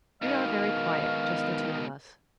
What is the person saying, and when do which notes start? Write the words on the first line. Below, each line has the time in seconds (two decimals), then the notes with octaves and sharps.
We are very quiet, just the two of us.
0.22 G#2 B2 D#3 D#5 F5